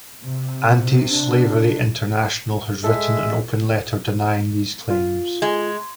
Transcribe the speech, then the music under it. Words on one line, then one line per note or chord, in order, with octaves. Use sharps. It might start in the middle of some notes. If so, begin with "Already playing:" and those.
Anti-Slavery International has written an open letter denying these claims.
C3
D4
G#3 A4 E5
F4
G#3